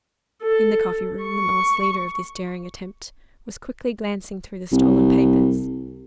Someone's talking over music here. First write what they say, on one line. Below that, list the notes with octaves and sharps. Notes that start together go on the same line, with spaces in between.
In the coffee-room the masked leader of this daring attempt was quickly glancing through the stolen papers.
A4
C#6
C2